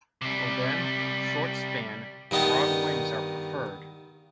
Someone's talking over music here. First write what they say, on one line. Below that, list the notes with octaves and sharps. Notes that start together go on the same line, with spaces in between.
For them, short-span, broad wings are preferred.
C3 G3
G2 D#3 B3 D#5 A5